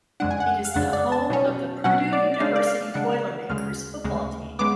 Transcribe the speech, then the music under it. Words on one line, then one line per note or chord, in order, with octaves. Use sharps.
It is the home of the Purdue University Boilermakers football team.
F2 C#3 G#3 D4 F#5
G#5
F#5
F5
F2 C#3 G#3 D4 F#5
D5
A5
B2 F#3 C#4
B2 F#3 C#4 F#5
D5
D5
C#3 G#3 D4 F5
D5
F5
C#3 G#3 D4 F#5
D2 C#3 G#3 F6
D2 C#3 G#3
C#3 G#3 B3 D6